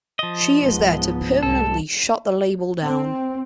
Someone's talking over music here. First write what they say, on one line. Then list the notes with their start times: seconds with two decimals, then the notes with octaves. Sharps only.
She is there to permanently shut the label down.
0.19 F3 D#5
0.62 C#2 G#2 B3
1.43 C2 A4
2.84 C4